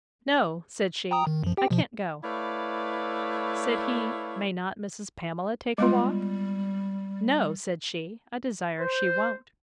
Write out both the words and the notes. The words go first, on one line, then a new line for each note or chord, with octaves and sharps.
No, said she, I can't go. Said he, May not Mrs. Pamela take a walk?--No, said she; I desire she won't.
G5 A#5 D#6
D#3
F#2 F3
G4 G5
B2 F3
A3 E4 B4 C#5 D5 F5
G3 G#3 B3 F4
C5